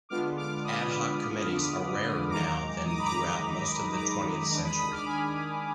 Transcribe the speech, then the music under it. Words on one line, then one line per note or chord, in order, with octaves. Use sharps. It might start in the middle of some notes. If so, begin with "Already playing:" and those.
Ad hoc committees are rarer now than throughout most of the twentieth century.
D3 G#3 B3 D4 F4 D6 F6
D6 F6
B5 D#6
F#2 D#3 G#3 D#4 A#5 D6
D#6
D6
B5
A#5 D6
A#5 D6
D#3 G#3 D4 A#5 D6
B5 D#6
B5 D#6
D6 F6
G#5 B5